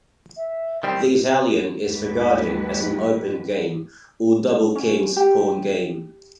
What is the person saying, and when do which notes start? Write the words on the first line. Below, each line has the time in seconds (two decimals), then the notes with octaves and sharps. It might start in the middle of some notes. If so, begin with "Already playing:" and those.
The Italian is regarded as an Open Game, or Double King's Pawn game.
0.37 E5
0.83 D#3 G3 C4
1.85 D#2 G#2 F#3 G4 B4
4.76 C#4
5.16 G4